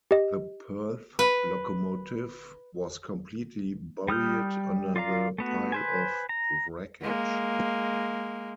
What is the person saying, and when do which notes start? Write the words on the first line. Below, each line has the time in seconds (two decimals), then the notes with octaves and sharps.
The Perth locomotive was completely buried under the pile of wreckage.
0.11 G4 D#5
1.19 B4
4.08 G3 D#6 F6 G6
4.96 F4 D5 F5 A#5
5.38 A3 B3 F#4
5.72 B4 C5 G#5
6.29 A#5
7.01 G#3 A#3